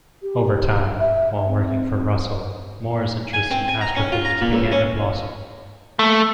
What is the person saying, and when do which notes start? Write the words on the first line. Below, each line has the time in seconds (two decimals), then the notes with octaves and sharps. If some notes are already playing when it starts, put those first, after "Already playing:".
Over time, while working for Russell, Moore's interest in astrophysics began to blossom.
0.22 G4
0.99 E5
1.47 C4
3.33 G#5
3.51 C4
3.68 G#5
3.81 A#5
3.96 C#4
4.12 F4
4.25 A#5
4.41 A#2
4.53 C#2
4.72 C#4
5.99 A3